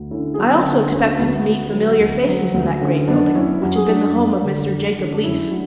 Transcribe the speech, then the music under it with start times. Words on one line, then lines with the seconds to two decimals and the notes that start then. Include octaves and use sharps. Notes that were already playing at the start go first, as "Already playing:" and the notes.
I also expected to meet familiar faces in that great building, which had been the home of Mr. Jacob Leese.
Already playing: D2
0.11 D3 C#4 E4
0.34 G#4
0.38 F#3 D4 F#4
0.54 C#4
0.65 D3 B3
0.92 D2 C#4
1.19 D2 B3
1.46 D2
1.73 F#3
2.00 D2
2.27 F#3
2.54 D2
2.81 D3 C#4
3.07 F#2 B3 D4
3.35 F#2 C#4 E4
3.62 F#2 F#4
3.75 G#4
3.88 F#3 D4 F#4
4.16 F#2
4.43 D3
4.70 F#2
4.97 D3
5.03 C#4
5.14 D4
5.24 F#2 C#4 E4
5.51 F#3 D4 F#4